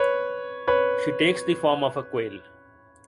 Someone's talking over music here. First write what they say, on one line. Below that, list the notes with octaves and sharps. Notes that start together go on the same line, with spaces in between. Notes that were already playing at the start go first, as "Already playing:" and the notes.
She takes the form of a quail.
Already playing: B4 C#5
B4 C#5